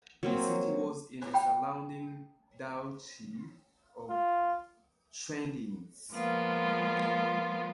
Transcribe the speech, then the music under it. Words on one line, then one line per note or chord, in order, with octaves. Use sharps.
The city was in the surrounding Duchy of Schweidnitz.
F#3 A#3 C4
G5 B5
F4
F3 G#3 A#3 B3 F4